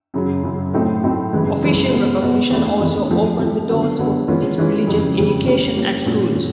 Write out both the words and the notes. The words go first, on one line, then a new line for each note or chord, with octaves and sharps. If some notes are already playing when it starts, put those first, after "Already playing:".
Official recognition also opened the doors for Buddhist religious education at schools.
F#2 C#3 F#3
F#2 C#3 F#3
A2 F#3 A3 C4 D#4
A2 F#3 A3 C4 D#4
F#2 C#3 E3 G#3
F#2 C#3 E3 G#3
B2 G#3 B3
B2 G#3 B3
E2 C3 E3 A3 D4
E2 C3 E3 A3 D4
C3 F3 A3
C3 F3 A3
D3 F#3 B3
D3 F#3 B3
E3 G#3 C#4 F4
E3 G#3 C#4 F4
F2 C#3 E3 G3
F2 C#3 E3 G3
G3 A#3 C#4
G3 A#3 C#4
A#2 F#3 A3 C#4
A#2 F#3